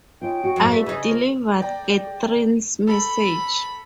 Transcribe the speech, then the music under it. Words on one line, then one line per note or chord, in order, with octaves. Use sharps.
I delivered Catherine’s message.
C#4 D#4 F4 G5
F#4
F#2 A2
E2 A3 E5
C#3 D#4
F3 A#4
D5 G5 A#5
A4 B5